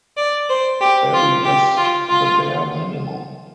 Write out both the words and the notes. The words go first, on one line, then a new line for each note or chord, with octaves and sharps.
Barry does the bare minimum.
D5
C5
G4
F4
G4
F4
F4